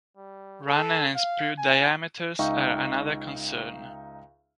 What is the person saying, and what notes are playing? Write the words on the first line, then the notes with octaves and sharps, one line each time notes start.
Runner and sprue diameters are another concern.
G3
A4
F5
G#5
C#2 D#4 E5 F5 G5 C#6